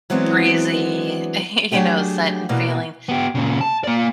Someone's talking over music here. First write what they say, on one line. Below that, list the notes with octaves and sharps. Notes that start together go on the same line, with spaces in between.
breezy, you know, scent and feeling.
E3 F#3 G#3 B3 C4 D4
F#3 A3 D4 G4 G#4
B2 E3 A#3 F#4 D5
B3 G4
A#2 C#3
A5
A#3 D5